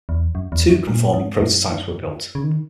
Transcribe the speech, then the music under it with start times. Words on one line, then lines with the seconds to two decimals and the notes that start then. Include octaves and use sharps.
Two conforming prototypes were built.
0.09 E2
0.35 F#2
0.52 E2
0.70 F#2
0.87 A#2
1.14 G#2
1.39 F#2
2.35 C#3
2.44 D#3